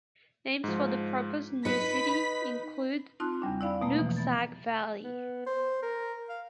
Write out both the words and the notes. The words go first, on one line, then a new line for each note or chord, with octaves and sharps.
Names for the proposed new city include "Nooksack Valley".
G#2 F3
D#4 B4 B5 F#6 B6 C#7
C4 D#4 F4 A5 C6 F#6
E2 C#3 G3 D4
E4 D5 F5 B5
B2 A3 A#3
B2 E3 F3
E3 B3 A6
B3
C5
A#4
F5